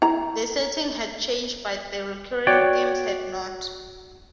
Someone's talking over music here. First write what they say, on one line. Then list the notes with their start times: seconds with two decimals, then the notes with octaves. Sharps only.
The setting had changed but the recurring themes had not.
0.02 E4 A#5
2.47 F#4 C#5 D5 G5